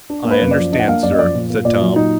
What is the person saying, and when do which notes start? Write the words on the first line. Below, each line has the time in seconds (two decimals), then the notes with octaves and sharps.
"I understand, sir," said Tom.
0.10 D4
0.25 A#3
0.31 B4
0.41 F#2
0.51 D5
0.57 F3
0.73 D4 D#5
0.79 F#5
0.87 A#3 F5
1.03 F#2 D5
1.12 D#5
1.19 F3 D5
1.35 A#2
1.50 A#3
1.65 A#2 D5
1.82 F#3
1.96 A#2 D#4